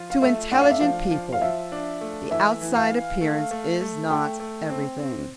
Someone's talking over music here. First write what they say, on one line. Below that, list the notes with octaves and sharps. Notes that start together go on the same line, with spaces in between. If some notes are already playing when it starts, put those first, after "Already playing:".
"To intelligent people the outside appearance is not everything."
Already playing: F3 F4
F5
A3 E5
D4 F#5
F5
E5
F3 F5
F3
F5
F3 E5
D4
A3
E3 E5
E3
F5
E3
A3
A3
A3
A3 G5
A3
C4
C4